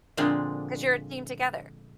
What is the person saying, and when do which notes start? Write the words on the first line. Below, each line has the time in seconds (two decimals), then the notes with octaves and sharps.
'cause you're a team together.
0.17 A#2 D3 F3 G#3 C4 D4